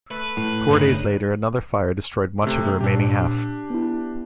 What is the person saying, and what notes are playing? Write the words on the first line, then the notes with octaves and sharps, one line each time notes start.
Four days later another fire destroyed much of the remaining half.
A3 B4
A2
D2 G2 C#4 D#4 G#4
C3 A3
A#2 D4 G4 D6 E6
B3 E4